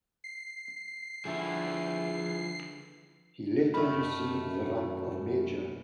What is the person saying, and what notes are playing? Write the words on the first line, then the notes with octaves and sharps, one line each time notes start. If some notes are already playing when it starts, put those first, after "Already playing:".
He later received the rank of major.
C7
D3 F3 G3 B3 E4 G#4 E5
F#2 D#3 A3 B5